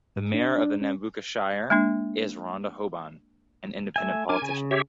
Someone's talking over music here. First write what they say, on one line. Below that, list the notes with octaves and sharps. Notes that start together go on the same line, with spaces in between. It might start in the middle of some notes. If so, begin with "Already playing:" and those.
The Mayor of the Nambucca Shire is Rhonda Hoban, an independent politician.
G#2
D4
D4
C#4
G#3 A#3 D4
A3 E5 G#5
D4 A#4 G#5 D6
C#3
G4 C#5 E5